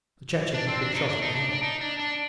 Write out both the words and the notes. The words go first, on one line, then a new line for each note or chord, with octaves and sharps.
The Chechen had been shot in the head.
D4
C4
D4
D#4
D4
D#4
D4
D4
D#4
D4
D4